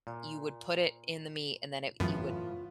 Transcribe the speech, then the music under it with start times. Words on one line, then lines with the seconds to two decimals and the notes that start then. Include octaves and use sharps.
you would put it in the meat, and then it you would
0.07 A#2
2.00 F#2 A2 E3 F#3 G#3 B3 F4